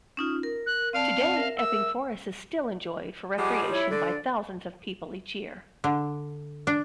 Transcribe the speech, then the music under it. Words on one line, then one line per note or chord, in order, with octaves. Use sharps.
Today, Epping Forest is still enjoyed for recreation by thousands of people each year.
C#4 D#4 F4
A#4
F#6
C4 D5 F5 A5
A#4 E5
E6
F3 G3 G#3 F#5 G#5 D6
E4 C#5
D3 D5
D3
D4